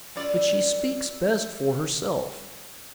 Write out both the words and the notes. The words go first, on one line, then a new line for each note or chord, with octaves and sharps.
But she speaks best for herself.
F#2 F4 D5